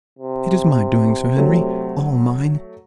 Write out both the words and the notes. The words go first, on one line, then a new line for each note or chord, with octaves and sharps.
It is my doing, Sir Henry--all mine.
C3
F#3 A3